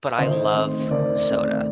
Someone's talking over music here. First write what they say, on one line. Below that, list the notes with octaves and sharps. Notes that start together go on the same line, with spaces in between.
but I love soda,
D#3 C5 D#5
A3 C4
C5
D#3 A#4 D5
A3 C4